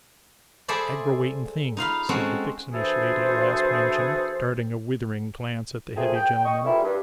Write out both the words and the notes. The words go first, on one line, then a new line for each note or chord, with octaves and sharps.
'Aggrawatin' thing!' said the vixenish lady last-mentioned, darting a withering glance at the heavy gentleman.
G#4 A4 C5 D5 E5 B5
D#4 F4 F5 B5
G#3 C4 C#4 F#4 A4
E3 D4 F#4 G#4 A4 C5
A#2 F3 A3 C4 G#4
G5
D#5 G5 C#6
A#2 D3 E3 G3 E4
G2